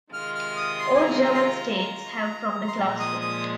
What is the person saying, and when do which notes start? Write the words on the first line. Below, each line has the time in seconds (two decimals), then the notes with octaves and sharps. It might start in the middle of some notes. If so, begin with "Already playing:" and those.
All German States have from the classroom.
0.13 C3 D#3 G#3 F4 F6
0.35 F6
0.57 D#6
0.79 C6
0.95 G#5
1.01 A#5
1.23 A#5
1.34 C6
1.45 A#5
1.77 A#5
2.68 C6
2.77 A#2 F3 G#3 A#5
2.99 D#6
3.21 D#6